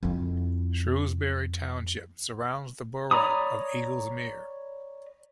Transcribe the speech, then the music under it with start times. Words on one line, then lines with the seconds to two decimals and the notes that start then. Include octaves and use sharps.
Shrewsbury Township surrounds the borough of Eagles Mere.
0.03 F2 E4
3.11 C#5 D5 A#5 B5 D#6